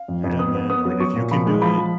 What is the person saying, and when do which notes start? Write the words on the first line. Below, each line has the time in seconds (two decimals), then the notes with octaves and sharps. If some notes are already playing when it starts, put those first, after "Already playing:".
Yeah, man. Like, if you can do it
Already playing: F5
0.08 F2
0.24 F2
0.39 B3 D#6
0.55 B3
0.70 B3 D#6
0.85 F#3
1.00 F#3 C#6
1.16 A#2
1.31 F3 B5
1.46 G#3
1.62 F3 B5
1.78 F3